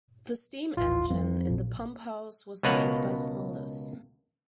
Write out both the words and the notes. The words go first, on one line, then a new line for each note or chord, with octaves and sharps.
The steam engine in the pumphouse was made by Smulders.
D#1 A1 F4
F2 G3 G#3 C4
A#1 A#2
C#2 B2 A#3 B4 C#5 F#5